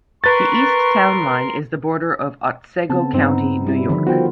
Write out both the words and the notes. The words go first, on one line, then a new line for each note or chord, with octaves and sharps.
The east town line is the border of Otsego County, New York.
A#4 B4 C6 C#6 A6
C#3 B3 C4 A5
G2 B3 C4 D#4
G3 E4
D3 D#3 F3
B3 F4 F#4 C5 G5